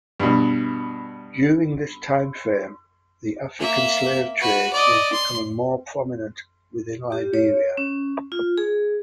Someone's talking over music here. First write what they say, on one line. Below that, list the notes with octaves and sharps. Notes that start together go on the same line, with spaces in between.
During this timeframe, the African slave trade was becoming more prominent within Liberia.
G2 B2
A#3 E5
F#4 B4
D5 D#5
C6
G4
C#5
C#4
F4
G#4